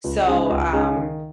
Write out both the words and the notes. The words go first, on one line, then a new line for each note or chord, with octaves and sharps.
so, um
C#2
C#3 G#3 D#4
C#2
C#3 G#3 D#4
D#3